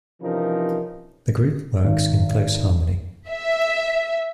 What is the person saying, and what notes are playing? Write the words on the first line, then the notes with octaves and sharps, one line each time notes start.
The group works in close harmony.
C3 E3 F3 C#4 D#4 A#4
G#1
E5